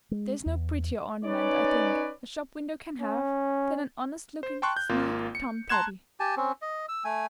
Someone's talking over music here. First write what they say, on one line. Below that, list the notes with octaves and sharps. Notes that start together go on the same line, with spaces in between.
There is no prettier ornament, I think, a shop-window can have, than an honest-looking sleek Tom tabby.
G#3
E2
C#4 D#4 B4 C#5 D5
C#4
C5
G5 A5 C6 C#6 F#6
G6
G#1 A#3 F4
C#7
A5 A#5 C6 F#6 G#6 E7
G4 G#5 A5
C4 C#4
D#5
E6
A3 G#5